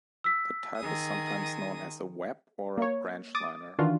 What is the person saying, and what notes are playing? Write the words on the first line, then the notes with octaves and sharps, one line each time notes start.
The type is sometimes known as a Webb or a Branchliner.
E6 B6
D#3 G#4 D#6
A#3 C#5
D6 D#6 A6
D#3 E3 D4 F4 F#4